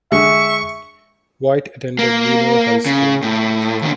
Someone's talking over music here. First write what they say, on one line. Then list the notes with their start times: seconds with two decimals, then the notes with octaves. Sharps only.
White attended Wheeler High School.
0.12 D3 G#3 E5 C#6
1.99 A#3
2.86 C#3
3.23 A2
3.82 D#2 D3